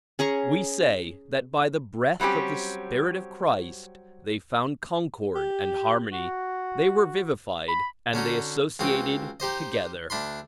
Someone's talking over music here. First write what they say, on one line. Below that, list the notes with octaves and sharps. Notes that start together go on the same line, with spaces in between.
We say that by the breath of the spirit of Christ they found concord and harmony, they were vivified, and they associated together.
C#4 G#4 A#5 C#6
F#3 G3 C4 C#4 G4
G4
F#4
B5
D3 C#4 D#4 F#4
C#2 C4 F#4 D#6
D#4 G4 C5 D#5
D2 D4 B5 C6